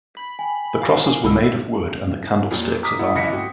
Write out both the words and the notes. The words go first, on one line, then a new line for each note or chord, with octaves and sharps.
The crosses were made of wood and the candlesticks of iron.
B5
G5 G#5
F5
A#4 G#5
C2 B2 D3 B5 E6
F2 A#2 F3 F#3
A#5 D6 D#6 B6
A3 D#4 E4 F#4 A4 F#5
C#2 E4 D#5 A#6 B6 C#7
C4 F#4